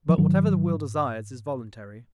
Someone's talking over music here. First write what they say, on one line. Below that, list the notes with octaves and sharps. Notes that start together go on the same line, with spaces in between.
But whatever the will desires is voluntary.
F3
G#2 D#3 F#3